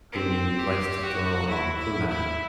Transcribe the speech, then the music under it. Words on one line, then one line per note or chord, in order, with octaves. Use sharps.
who likes to throw, um, kunai,
C4
G4
F#4
E4
E4
E4